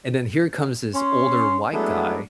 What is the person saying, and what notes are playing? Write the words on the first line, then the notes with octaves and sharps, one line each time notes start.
and then here comes this older white guy
C#4 C6
F#3 G#3 A3 B3 D4 E4